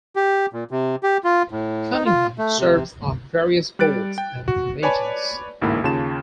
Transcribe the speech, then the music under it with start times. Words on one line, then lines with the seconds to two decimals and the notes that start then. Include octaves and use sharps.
Cunningham serves on various boards and commissions.
0.16 G4
0.53 A#2
0.71 C3
1.03 G4
1.24 F4
1.51 A2
1.93 D#4
2.06 F4
2.38 A3
2.58 C3
3.79 G3 F#6 A6 D7
4.18 G5
4.48 F#4
4.82 B4 C#5 D5 G#5 A5 B5
5.62 A1 D2 G#2 A#3 E4
5.84 D#2 C#3 F4 A5 E7